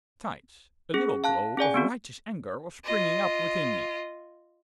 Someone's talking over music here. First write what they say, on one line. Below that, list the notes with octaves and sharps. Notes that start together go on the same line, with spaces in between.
Besides, a little glow of righteous anger was springing up within me.
C#4 G#4
F5 A5 F#6
C#4 G#4 D5 G#5
B3 C4 F#4
F4 D#5